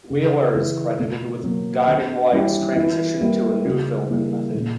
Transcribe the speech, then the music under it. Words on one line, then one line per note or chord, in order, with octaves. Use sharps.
Wheeler is credited with Guiding Light's transition to a new filming method.
C#3
E3 B3
B2
F#3 A#3
D3
G3 C#4 E4 G4
E3
G3 A#3 E4 G4
C#3
G3 A#3 E4
A#2